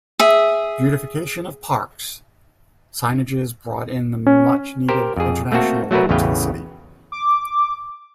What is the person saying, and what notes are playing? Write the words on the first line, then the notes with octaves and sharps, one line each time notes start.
Beautification of parks, signages brought in the much needed international look to the city.
G#4 E5
C#4
G4 A#4 C5
F2 G#4
A3 A#3 C4 F#4 A4
F#3 A3 F#4 A#4 B4
A1 E2 C#3 B4 F5 G5
D6